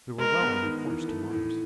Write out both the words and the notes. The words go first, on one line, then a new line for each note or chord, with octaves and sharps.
We were well on our course to Mars.
G#3 A#4
B3
D#3
E3
A3
A2